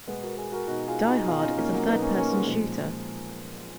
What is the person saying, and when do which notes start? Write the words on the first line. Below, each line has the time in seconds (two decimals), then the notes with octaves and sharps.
"Die Hard" is a third-person shooter.
0.07 B2 G#3 B3
0.23 F#4 A#4
0.38 G#4 B4
0.52 F#4 A#4
0.67 B2 D#4 F#4
0.88 F4 G#4
1.07 D#4 F#4
1.28 B2 F4 G#4
1.39 D#4
1.43 C#4 F4
1.57 A#3 C#4
1.73 F#3 A#3
1.88 B2 B3 D#4
2.02 A#3 C#4
2.18 A#3 C#4
2.33 G#3
2.47 A#2 F3 G#3